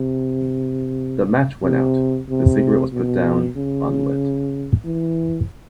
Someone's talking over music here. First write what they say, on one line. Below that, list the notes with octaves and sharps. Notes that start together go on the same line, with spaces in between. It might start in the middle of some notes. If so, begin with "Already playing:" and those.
The match went out, the cigarette was put down unlit.
Already playing: C3
C3
C3
B2
C#3
E3